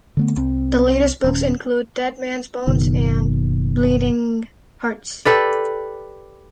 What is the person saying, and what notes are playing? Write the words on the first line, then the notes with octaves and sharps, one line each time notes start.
The latest books include "Dead Man's Bones" and "Bleeding Hearts".
D3 A3 B3
C2 C4
D#1 C#4
F#1 B2 D#3
G4 A4 B4 D5